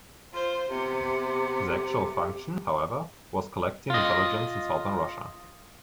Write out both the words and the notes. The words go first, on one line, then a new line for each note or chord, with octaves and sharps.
His actual function, however, was collecting intelligence in southern Russia.
F4 C5
C3 B3 G4
F4 D#5